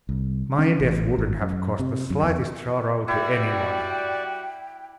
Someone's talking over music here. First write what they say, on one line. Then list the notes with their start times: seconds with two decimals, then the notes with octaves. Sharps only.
My death wouldn't have caused the slightest sorrow to any one.
0.09 C2
0.59 C#4
0.80 A1
1.19 G#1
1.42 F#2
1.79 C3
2.10 F#2
2.23 E2
3.08 G3 E4 F#4 D5 G5